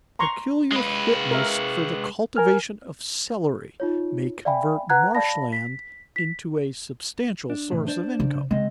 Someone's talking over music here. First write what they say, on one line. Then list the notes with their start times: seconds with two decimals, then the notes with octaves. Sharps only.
Peculiar fitness for the cultivation of celery may convert marsh land into a substantial source of income.
0.19 A#5 C6 C#6
0.72 G#3 B4
1.31 A#4 E5
2.37 A#4 G#5 F6
3.80 D#4 F4 C#5
4.45 D5 E5 F5 G5 G#5 B5
4.89 B4 F#5 A#5 F#6 G#6
5.15 D5 F5 A5 B5 A#6
5.53 B6
6.16 B6
7.50 D4
7.71 E2 A2 C3
7.87 D4 C5 D5
8.20 C#3
8.51 C#3 G#3 C4 D#5